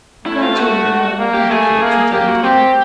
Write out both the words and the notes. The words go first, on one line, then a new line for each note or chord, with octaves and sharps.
Gradually, however, better thoughts returned to him.
A3 E4
F4
F#4
A#3
G4
A3 G#4
A#3
A#3 G4
F#4
C4 G4